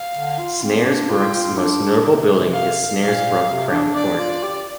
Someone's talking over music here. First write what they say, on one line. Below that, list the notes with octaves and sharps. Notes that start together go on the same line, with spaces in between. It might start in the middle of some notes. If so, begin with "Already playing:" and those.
Snaresbrook's most notable building is Snaresbrook Crown Court.
Already playing: F5
D3
F4
C4
C4
D4
F4 G5
F4
D4
C3
F5
A#2 F5
C3
D4
D4 D5
F4
G4